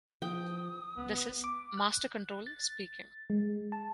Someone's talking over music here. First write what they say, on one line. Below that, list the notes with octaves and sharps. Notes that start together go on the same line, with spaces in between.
This is "Master Control" speaking.
F3 G5 D#6
C#2 B3
D6
F#6
A6
G#3
A5